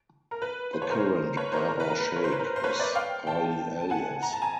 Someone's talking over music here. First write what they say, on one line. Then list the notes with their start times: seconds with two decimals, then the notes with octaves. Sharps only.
The current Baba Sheikh is Ali Alyas.
0.31 A#4
0.42 B4
0.73 C5
0.82 C#5
0.91 A#4 C5
1.37 B4 C#5
1.52 A#4 C5
1.68 A#4
1.80 B4
1.90 A#4
2.00 B4
2.16 C#5
2.24 C5
2.32 B4
2.39 A#4 C5
2.56 C5
2.64 B4 C#5
2.79 C5 D5
2.95 F5 G5
3.27 G5 A5
3.81 A5
3.90 F#5 G#5
4.22 A#5
4.32 A5
4.42 G#5 A#5